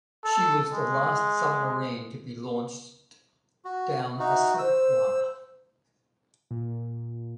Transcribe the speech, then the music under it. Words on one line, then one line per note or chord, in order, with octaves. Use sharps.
She was the last submarine to be launched down a slipwa.
A4
G#3
F#4
D#4 F#4 E5
C5 E6
A#2